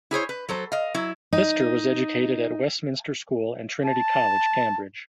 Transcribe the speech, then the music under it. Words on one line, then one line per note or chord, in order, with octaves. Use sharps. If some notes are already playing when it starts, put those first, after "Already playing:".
Lister was educated at Westminster School and Trinity College, Cambridge.
E4 G#4 C5 C#5
B4
F#3 A4 C5
D#5 F5
F#3 E4
D#4
A5